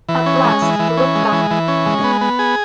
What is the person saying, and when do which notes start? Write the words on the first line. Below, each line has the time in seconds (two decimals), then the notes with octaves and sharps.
At last he looked up.
0.09 E3
0.26 C#4
0.44 G#3
0.62 E3
0.79 E3
0.97 C#4
1.15 G#3
1.32 E3
1.51 E3
1.68 C#4
1.86 G#3
2.04 B3
2.21 B3
2.39 G#4